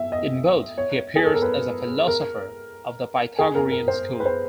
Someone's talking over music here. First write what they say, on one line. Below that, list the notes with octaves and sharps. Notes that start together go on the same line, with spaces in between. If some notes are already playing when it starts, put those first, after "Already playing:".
In both, he appears as a philosopher of the Pythagorean school.
Already playing: E5
D#5
C#5
G#4
A4
A#4
B4
A#4
G#4
A#4
A#4
C5
B4
C5